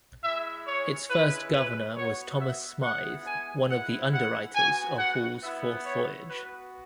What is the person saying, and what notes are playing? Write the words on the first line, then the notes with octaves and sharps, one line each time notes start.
Its first governor was Thomas Smythe, one of the underwriters of Hall's fourth voyage.
G#3 E4 E5
C#5
G#3 C#4 E4 B4
B4
B3 F#4 C#5
E5
G#3 B3 E4 F#5
G#5
G#3 E4 F#5
F#5
B3 F#4 G#5
F#5
B3 E4 E5
C#5
B3 F#4 B4